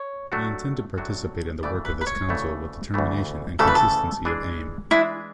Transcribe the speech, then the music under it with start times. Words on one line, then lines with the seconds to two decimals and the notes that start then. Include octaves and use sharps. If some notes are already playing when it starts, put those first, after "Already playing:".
We intend to participate in the work of this Council with determination and consistency of aim.
Already playing: C#5
0.32 A2 F#3 A3 D4 F#4
0.97 A2 F#3 A3 D4 F#4
1.63 D2 C#3 E3 A3 D5
1.85 B4
2.01 B4
2.07 C#5
2.29 D2 C#3 E3 A3
2.94 D2 C#3 E3 A3
3.59 D2 C#3 E3 A3 A4
3.67 B4
3.75 A4
4.25 E3 G#3 D4 G#4
4.91 E3 G#3 D4 E4 G#4